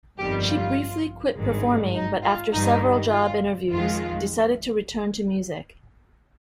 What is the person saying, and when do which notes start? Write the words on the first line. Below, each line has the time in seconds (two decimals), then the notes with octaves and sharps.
She briefly quit performing, but after several job interviews decided to return to music.
0.18 G1 F2 D#3 G3 G4
0.48 F4
1.36 G#1 G2 D#3 G#3
1.95 D#4
2.23 F4
2.52 G2 D#3 G3 D#4
3.11 F4
3.69 F2 D#3 G#3 F4